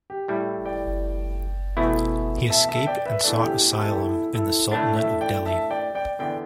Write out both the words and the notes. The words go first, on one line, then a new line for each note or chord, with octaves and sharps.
He escaped and sought asylum in the Sultanate of Delhi.
G4
A2 G3 E4
D5 G5
E2 B2 A3 E4
E5 A5
E5 A5
D5 G5
B4 E5
E2 E3 A3 D4 A4 D5
G4
G4
G4
E4 A4
G4
E4 A4
E4 A4
A2 A3 D4 E5 A5
E5 A5
D5 G5
E5 A5
D5 G5
D5 G5
E2 D3 B3 D5 G5